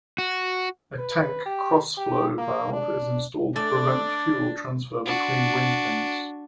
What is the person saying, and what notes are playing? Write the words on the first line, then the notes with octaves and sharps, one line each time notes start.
A tank cross-flow valve is installed to prevent fuel transfer between wing tanks.
F#4
B4
G4
G4
A#3
D4
A3 D4 D5 A6
D4 F#4